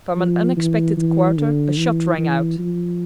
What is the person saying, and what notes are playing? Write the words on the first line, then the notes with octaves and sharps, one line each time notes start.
From an unexpected quarter a shot rang out.
F3
E3
E3
D3
E3
E3
F3